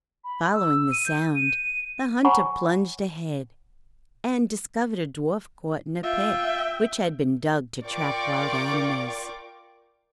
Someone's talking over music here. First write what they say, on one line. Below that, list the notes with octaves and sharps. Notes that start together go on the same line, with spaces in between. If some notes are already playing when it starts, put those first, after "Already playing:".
Following the sound, the hunter plunged ahead, and discovered a dwarf caught in a pit which had been dug to trap wild animals.
B5
E6
D#7
G6
D#7
C#5 F#5 G#5 A#5 B5 C#6
F4 E5 G5
F4 A#4 D5 G5 C#6 D6